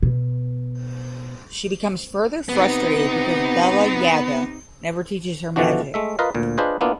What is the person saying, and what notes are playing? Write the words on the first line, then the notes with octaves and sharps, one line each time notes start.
She becomes further frustrated because Bella Yaga never teaches her magic.
B2
C3 B3 D#4
B2 D3 E3 F3 D4 F#4
G#3 A3 E5
F4 A#4 B4 D#5 F5
D2 A#2
D4 F4 G#4 B4 C5 D#5
A#3 B3 D4 E4 F4